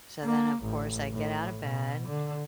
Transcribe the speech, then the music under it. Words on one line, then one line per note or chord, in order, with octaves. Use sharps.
So then of course I get out of bed
A#3
A1
A2
B2
D3